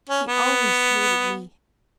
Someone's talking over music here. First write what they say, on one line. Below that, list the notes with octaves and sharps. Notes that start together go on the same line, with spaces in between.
He always hated me.
C#4
B3